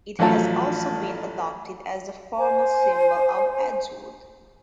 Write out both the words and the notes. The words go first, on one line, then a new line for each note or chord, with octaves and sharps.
It has also been adopted as the formal symbol of Edgewood.
A1 F3 F#3 A3 F4 A5
C5 G#5